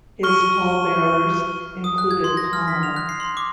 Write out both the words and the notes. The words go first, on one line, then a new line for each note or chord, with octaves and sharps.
His pall bearers included Palmer.
C#6 F6 G7
D#6
F#6
G#6
C6
A#6
F6
B6
F7
F#6
C7
C6
D6